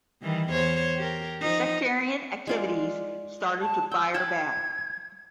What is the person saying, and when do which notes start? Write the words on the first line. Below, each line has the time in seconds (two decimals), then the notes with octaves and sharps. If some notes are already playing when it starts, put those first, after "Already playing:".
The sectarian activities started to fire back.
0.22 D#3 E3 G3
0.50 E2 C5 C#5
0.97 G4 A#4
1.41 F3 D#4
2.47 G#3 F4 D5
3.62 A5
3.92 G5 E6
4.14 G5 A5 B5 G#6